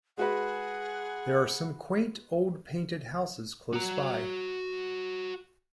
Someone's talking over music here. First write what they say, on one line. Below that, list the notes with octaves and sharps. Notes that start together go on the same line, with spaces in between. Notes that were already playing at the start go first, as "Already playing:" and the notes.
There are some quaint old painted houses close by.
G#3 F#4 G#4 B4 F#5
F#4 A#5